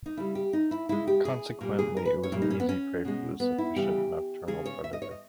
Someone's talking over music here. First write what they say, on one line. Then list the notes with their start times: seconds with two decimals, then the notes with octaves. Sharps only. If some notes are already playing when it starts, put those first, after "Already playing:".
Consequently, it was an easy prey for this efficient, nocturnal predator.
0.06 D#4
0.17 C#3 G3 E4
0.35 G4
0.53 D#4
0.71 E4
0.89 C#3 G#3 E4
1.07 G4
1.25 G#4
1.61 A#2 G3
1.79 G#4
1.97 A#4
2.05 B4
2.23 C#5
2.32 A#2 G3 E4
2.42 D#4
2.50 C#4
2.60 B3
2.69 C#4
3.05 B2 G#3
3.40 B3
3.58 E4
3.76 C#3 E3 G3 G4
4.48 C#3 G#3 G#4
4.66 C#5
4.84 E5
4.93 D#5
5.02 C#5
5.11 D#5